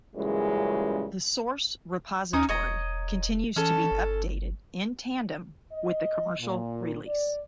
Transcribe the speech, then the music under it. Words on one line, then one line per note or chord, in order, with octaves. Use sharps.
The source repository continues to be updated in tandem with the commercial release.
F#2 A#2 C#3 E3 G3 G#3
D#2 C#4 D#4 D#6
E1 C#5 D#5 A#5
E3 C#4 A4
G1
D#5
A#2
D5